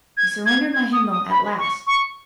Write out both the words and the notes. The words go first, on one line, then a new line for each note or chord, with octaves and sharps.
He surrendered my hymnal at last.
G#6
G#6
G#6
D#6
D#6
B5
C#6
C#6